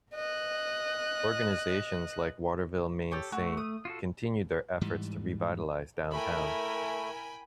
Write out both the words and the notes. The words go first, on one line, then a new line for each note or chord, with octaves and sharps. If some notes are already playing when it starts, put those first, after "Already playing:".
Organizations like Waterville Main Saint continue their efforts to revitalize downtown.
D#5 F#6
G4 A4 C#5
A3 F#4
D#6
F4 F#4 A4
G#2 E3 G3
A3 E4 A#4 G5 G#5 B5